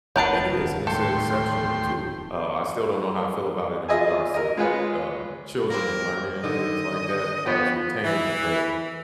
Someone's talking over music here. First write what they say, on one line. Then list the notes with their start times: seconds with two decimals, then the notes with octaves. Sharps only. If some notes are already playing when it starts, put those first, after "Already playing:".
It is, and it's a exceptional tool. Uh, I still don't know how I feel about it in regards to, um, children and learning and things like that as far as retainment, but
0.16 F1 D2 F3 B3 A#4 C#5 F#5 A5
0.58 D1 D#2 C#3
0.87 A2 A4 G5 C6
3.88 F4 G#4 D#5 E5 G#5
4.34 A#4 D#5
4.57 G#3 F4 G#4 B4 C#5
5.70 A#3 C4 A#4
6.44 D3 D#3 D#5
7.46 F3 B3 G5
8.04 E3